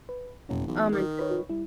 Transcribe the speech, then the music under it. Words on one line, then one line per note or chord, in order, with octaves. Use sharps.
Oh my goodness.
B4
F#1 F2 B2 C#4
B1 E3
D#3
B4 C#5
G3 E4